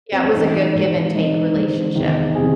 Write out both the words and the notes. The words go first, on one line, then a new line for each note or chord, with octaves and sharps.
Yeah, it was a good give and take relationship.
C4
C#4
G#2 E3 D#4
G#2 E3
G#2 E3 D#4
G#2 E3
E2 C3 D#3
C3 D#3 G#4